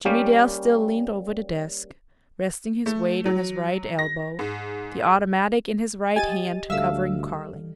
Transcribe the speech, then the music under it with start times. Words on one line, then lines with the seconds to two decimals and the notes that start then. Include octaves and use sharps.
Jimmie Dale still leaned over the desk, resting his weight on his right elbow, the automatic in his right hand covering Carling.
0.05 G3 A#3 C#4 G4 F5
2.86 A3
3.26 F#3
3.99 A#6
4.39 G#2
6.16 G4 D#5 G#5 A6 D#7
6.70 D2 G3 A4 E5 F5 E6